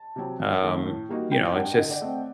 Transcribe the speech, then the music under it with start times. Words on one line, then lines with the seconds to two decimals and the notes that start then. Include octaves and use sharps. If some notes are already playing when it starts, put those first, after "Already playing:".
um, you know, it's just,
Already playing: A5
0.16 C3 F#3 C4
0.40 F#2
0.62 D#3 A3
0.86 A2
1.09 G3 A#3 D#4 F#4
1.32 A2 G5
1.55 G3 D4 G4 F#5
1.73 F#5
1.78 D3 D#5
1.91 D5
2.01 A3 C4 D#5